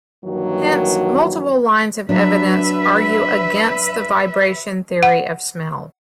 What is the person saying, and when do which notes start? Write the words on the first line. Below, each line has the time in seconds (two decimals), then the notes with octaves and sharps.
Hence multiple lines of evidence argue against the vibration theory of smell.
0.25 G2 D#3 E3 F#3 A#3 F#4
2.09 F#3 D4 B4 E5
5.03 F#5